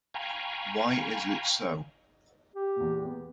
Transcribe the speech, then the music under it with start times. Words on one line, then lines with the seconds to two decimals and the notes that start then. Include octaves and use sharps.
Why is it so?
0.14 F5 G5 G#5 A#5 B5 C#6
2.56 G4
2.76 E2 A#2
3.05 B3